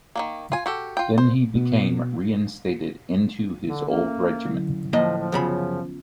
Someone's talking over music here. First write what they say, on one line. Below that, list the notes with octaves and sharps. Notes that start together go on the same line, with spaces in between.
Then he became reinstated into his old regiment.
D#3 G3 A#3
F4 G#5
F#4 G4 A4
F4 G5
C5
B2
D3
A#3 C#4 A4 E5
D3 F#3 E4
A2 F3 A#3 D#5
F3
F#2 C#3 B3 C#4 F4 B5